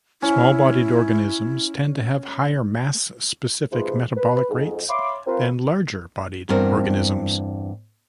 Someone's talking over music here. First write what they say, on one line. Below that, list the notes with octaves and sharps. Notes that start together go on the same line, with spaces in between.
Small-bodied organisms tend to have higher mass-specific metabolic rates than larger-bodied organisms.
C#4 E4
G#2 C3 F3 G#3 B4 C5
B4
F2 G#2
C#5 E5 F5 B5 C6 D6
C4 F4 A#4 B4
E2 G2 C4 A#4